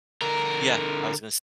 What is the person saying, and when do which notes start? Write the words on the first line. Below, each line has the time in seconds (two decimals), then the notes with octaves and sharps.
Yeah. I was gonna s
0.22 D3 A#4